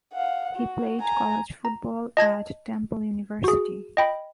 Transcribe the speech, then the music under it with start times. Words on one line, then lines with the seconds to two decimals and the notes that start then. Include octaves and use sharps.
He played college football at Temple University.
0.13 F5 F#5
0.54 F#4
1.01 G#5 A#5
1.65 A#5
2.17 D#5 A5 G#6 A#6
3.44 F#4 G#4
3.97 D#5 G5 B5